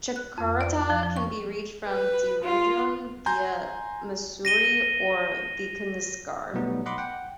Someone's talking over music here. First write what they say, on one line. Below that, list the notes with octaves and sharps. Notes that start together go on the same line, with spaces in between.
Chakrata can be reached from Dehradun via Mussoorie or Vikasnagar.
F#6
F2
D5
F3
F3
C#6
B4
F4
G#5 A#5 C6 G6
A#6 D#7 G7
B2 F#3 G3 A3 B3 D#4
D#5 F#5 B5 C6 D6
F#5 G5